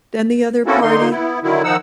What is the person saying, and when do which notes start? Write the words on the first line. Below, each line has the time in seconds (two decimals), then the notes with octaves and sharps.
than the other party,
0.66 A#3 C4 C#4 E4 F#4 A4
0.82 D3 A#3 D#4 C6
1.10 B3 E4
1.43 D3 D#3 F#3 E4
1.64 D#3 F3 D#4 F#5 E6